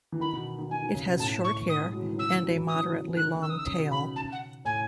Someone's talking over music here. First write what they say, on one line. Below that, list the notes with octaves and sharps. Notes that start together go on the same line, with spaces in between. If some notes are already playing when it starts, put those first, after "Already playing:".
It has short hair and a moderately long tail.
E3
D#3 B5
B2
D#3
D#3 G#5
D#3
C#3
B2
A2 A5
C#6
D#6
G#3
F#3
E3
D#3
C#3 E6
E3
F#3
E3
F#3 D#6
E3
F#3
E3
E3
D#3 F#6
C#3
D#3
E6
D#6
E6
C#3 D#6
B2
C#3 B5
A5
F#5
A2 G#5